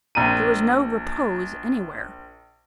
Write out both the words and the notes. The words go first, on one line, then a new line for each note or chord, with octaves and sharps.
There was no repose anywhere.
A#1 A#5 D#7